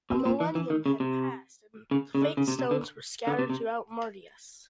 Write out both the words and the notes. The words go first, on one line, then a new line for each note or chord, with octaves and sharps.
A millennium had passed, and the Fatestones were scattered throughout Mardias.
B2
A#2
E3
E3
D#3
C#3
C3
C#3
C#3
D3
C#3
C3
C3
D3
D3
C3
C3